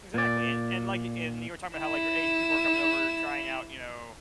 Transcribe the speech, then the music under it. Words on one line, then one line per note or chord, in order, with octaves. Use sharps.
Exactly, and and, like and you were talking about how, like, your Asian people are coming over trying out, you know
A#2 D5
E4 E7